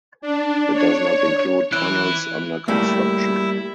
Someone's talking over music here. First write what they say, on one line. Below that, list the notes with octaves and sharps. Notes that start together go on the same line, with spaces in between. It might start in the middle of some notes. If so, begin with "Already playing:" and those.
It does not include tunnels under construction.
D4
C#5
E3 E4 F#6 D7
G3 A3 A#3 E4